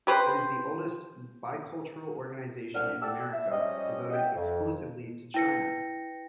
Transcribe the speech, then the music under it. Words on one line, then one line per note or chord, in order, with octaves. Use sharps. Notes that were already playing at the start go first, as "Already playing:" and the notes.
It is the oldest bicultural organization in America devoted exclusively to China.
G4 B4 C5
C2 D4 F#5 F6
G4 A4 D5 F#5 D6 E6
E5
F3 G3 C#4 G4 D#5
E5 F#5 G5
F2
E4 B4 G5 A#6 C#7